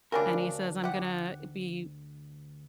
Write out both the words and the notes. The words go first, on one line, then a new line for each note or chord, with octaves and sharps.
and he says, "I'm gonna be
D2 C#3 G3 D4 A#4
G4 F#5